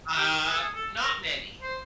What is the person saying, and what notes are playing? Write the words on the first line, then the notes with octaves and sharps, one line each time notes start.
Ah, not many.
G4
G#4
A4
G#4
A4
A#4
C5